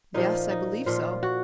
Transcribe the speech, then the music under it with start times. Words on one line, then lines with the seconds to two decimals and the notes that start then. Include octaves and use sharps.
"Yes; I believe so."
0.14 A#2 F3 D#4
0.50 D#4
0.86 A#2 F3 F4
1.23 F#4